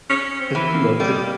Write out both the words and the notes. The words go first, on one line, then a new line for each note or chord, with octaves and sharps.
to, you know, to
C#4
C4
E3
A#3
G3 G#3
A#3